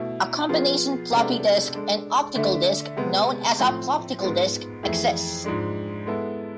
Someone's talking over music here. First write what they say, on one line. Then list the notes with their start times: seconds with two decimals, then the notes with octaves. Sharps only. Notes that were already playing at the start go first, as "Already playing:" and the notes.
A combination floppy disk and optical disc, known as a Floptical disk exists.
Already playing: B2 A3 E4
0.49 F3 B3 F4 G#4
1.11 C3 G#3 B3 D4 A4
1.73 G#3 D4 A4
2.35 D3 A3 D4 A4 E5
2.97 C3 G#3 B3
3.59 A2 F3 A3 C4
4.20 G#2 G#3 B3 F4
4.83 F2 E3 A3 E4 G#4
5.44 G#2 F3 G#3 D4
6.06 G#3 B3 E4 A4